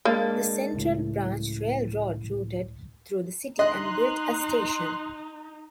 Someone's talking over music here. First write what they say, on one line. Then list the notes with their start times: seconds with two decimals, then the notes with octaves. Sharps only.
The Central Branch Railroad routed through the city and built a station.
0.05 G#3 A#3 D4 A6
0.75 C#2 A2
3.59 D#4 D#5 C6 F#6